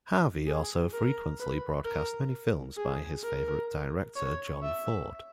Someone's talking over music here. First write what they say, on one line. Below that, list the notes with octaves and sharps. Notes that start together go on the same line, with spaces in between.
Harvey also frequently broadcast many films by his favorite director John Ford.
G#4
A#4
B4
A#4
G#4
A#4
C#5
E5